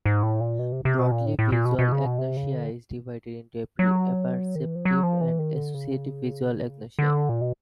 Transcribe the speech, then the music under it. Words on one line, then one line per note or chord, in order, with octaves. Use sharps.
Broadly, visual agnosia is divided into apperceptive and associative visual agnosia.
G#2
A2
A#2
B2
C3
C3
B2
A#2
A2
A2
A#2
B2
B2
C#3
B2
C3
C#3
D3
F#3
D#3
E3
F3
F#3
F3
E3
D#3
D3
C#3
D3
A#2
B2